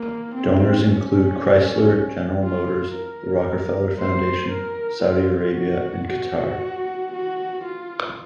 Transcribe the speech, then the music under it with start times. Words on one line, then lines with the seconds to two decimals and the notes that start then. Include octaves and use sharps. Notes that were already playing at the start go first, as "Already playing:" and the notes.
Donors included Chrysler, General Motors, the Rockefeller Foundation, Saudi Arabia and Qatar.
Already playing: A#3
0.35 C4
0.86 C#4
2.43 F4
2.96 A#4
4.00 C5
4.52 A#4
5.03 F4
5.56 F#4
6.08 F#4
7.12 F#4
7.65 F4